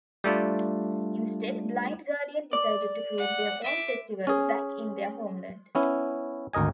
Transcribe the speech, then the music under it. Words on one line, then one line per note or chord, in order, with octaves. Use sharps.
Instead, Blind Guardian decided to create their own festival, back in their homeland.
G3 A3 D4 F4
D5
F#5
E5 D6
C#4 G#4
B3 C#4 E4
G#1 D2 A#4 D#5 G#5